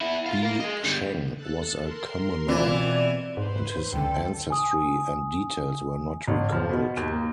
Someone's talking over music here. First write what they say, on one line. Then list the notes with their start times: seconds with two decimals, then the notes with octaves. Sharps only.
Bi Sheng was a commoner, and his ancestry and details were not recorded.
0.01 B3 E4
0.26 F4 F5
0.42 A#4 F5
0.60 G#4 D#5
0.84 D3 G3
1.36 A4 A5 F#6
1.82 A#4 C6
2.48 B2 E3 C4 F4 D5 G#6
3.37 G#2 B4 C5 C6
3.93 C#2 D3 A4 G5
4.50 G#5 D#6
6.28 A1
6.52 F3
6.69 B2
6.97 D#2
7.12 A#3